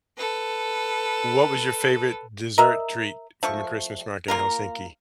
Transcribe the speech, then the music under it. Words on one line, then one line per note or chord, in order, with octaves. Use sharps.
What was your favorite dessert treat from a Christmas market in Helsinki?
A4 B4
A#4 D#5 E5
F3 A3 C#6
A#3 F4 A#4